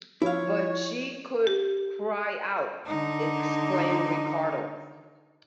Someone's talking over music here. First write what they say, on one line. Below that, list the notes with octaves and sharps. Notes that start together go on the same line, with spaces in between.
"But she could cry out," exclaimed Ricardo.
F3 E4 C#5 F5
G4
D3 D#4